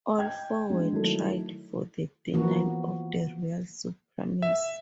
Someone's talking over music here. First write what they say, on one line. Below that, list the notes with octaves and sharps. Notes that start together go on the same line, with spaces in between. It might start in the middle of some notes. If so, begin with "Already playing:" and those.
All four were tried for the denial of the royal supremacy.
D#5 G5 G#6
G#3 D4
D#3 F#3 A3 E4 A4 A#4
E3 F3 A#3 B3 F#4
E5